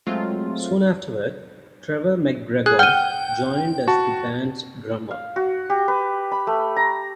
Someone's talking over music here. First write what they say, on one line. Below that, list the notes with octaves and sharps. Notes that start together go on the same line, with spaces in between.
Soon afterward, Trevor MacGregor joined as the band's drummer.
F#3 G#3 A3 C4 F4
G#4 F#6
F#5 G5 F6 D#7
F#4 A5
F5
F#4
G4
B4
B5
A3
A#5